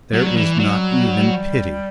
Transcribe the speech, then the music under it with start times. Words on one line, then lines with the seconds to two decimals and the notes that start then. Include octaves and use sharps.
There is not even pity.
0.14 F#3
0.21 A3
0.25 G3
0.37 E3
0.55 A3
0.59 F#3 G3